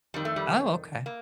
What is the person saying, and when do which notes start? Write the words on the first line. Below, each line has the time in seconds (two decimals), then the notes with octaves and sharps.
Oh, okay.
0.14 F2 D#3 G3
0.25 A3
0.36 G3
1.06 A#3